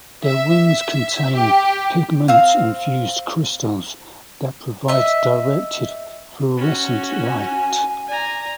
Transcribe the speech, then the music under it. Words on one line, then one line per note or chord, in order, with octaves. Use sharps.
Their wings contain pigment-infused crystals that provide directed fluorescent light.
E5
G4
C4 F5
D#5 E5
C#4 F#4
G#5
D5 G#5 A#5